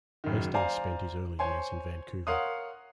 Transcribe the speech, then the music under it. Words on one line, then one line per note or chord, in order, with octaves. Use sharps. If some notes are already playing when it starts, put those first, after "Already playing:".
Hastings spent his early years in Vancouver.
F#1 D#3
C5 D5 F5 G#5 A#5
C5 C#5 G#5 C6
A#4 C#5 F5 F#5 C6 D#6